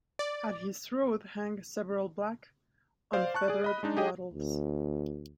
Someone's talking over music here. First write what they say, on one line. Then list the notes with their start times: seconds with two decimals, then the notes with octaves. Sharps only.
At his throat hang several black, unfeathered wattles.
0.19 D5
3.13 C5 D5 F5
3.34 A5 C#6 F#6
3.48 G#4 D5
3.64 D#5 B5
3.83 G#3 D4 D#4
3.97 G4 G#4 D#5 G5
4.34 D2